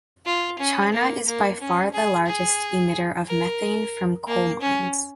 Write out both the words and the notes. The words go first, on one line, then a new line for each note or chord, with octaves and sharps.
China is by far the largest emitter of methane from coal mines.
F4
C#4
A#3
A#3
C#4
G#4
G#4
A#4
A#3
C#4